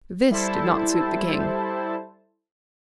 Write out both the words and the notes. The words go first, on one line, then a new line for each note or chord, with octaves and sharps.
This did not suit the king.
G3 E4 A4 C5 A5